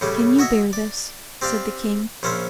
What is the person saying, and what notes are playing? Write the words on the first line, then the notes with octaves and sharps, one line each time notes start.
"Can you bear this?" said the king.
A2 C#3 G3 G4
F#4 C#5 D#5 E5
D5
C4 G4 D5 F5
A#1 C#4 F4 C5 E5